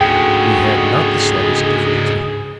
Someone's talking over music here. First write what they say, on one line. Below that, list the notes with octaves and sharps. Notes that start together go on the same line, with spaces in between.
"We had not the slightest difficulty."
D2 G#2 C#3 G#4 G5